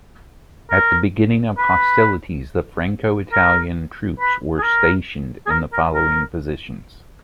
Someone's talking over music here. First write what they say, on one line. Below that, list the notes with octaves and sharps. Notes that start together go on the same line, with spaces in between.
At the beginning of hostilities, the Franco-Italian troops were stationed in the following positions.
A#4
B4
A#4
B4
G#4
A#4
G#4
A#4
A#4
A#4